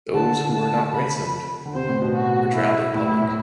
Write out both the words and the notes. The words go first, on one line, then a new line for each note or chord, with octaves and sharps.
Those who were not ransomed were drowned in public.
D3 A5
A5
B5
D3
C3 C5
A2
B2
F#4
E4
A2 E4
A2
A2